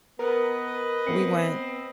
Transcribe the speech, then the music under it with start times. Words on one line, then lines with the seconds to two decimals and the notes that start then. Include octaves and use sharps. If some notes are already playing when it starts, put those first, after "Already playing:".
We went
0.19 B3 A#4 B4 D#5
1.07 B3 C4 C#7